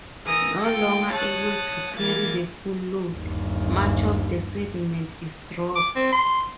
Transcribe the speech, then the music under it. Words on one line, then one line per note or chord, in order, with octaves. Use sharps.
No longer able to carry the full load, much of the sediment is dropped.
E3 A#4 D#6 A#6
A3 F4 A4 G5
C#5 A5 D#6 F#6
E3 A#3 G#6 A6
G1 D#2
D6
C4
C6